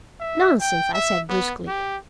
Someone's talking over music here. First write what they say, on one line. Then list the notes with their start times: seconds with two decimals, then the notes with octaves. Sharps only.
"Nonsense!" I said bruskly.
0.20 E5
0.61 G5
0.94 E5
1.29 B3
1.67 G4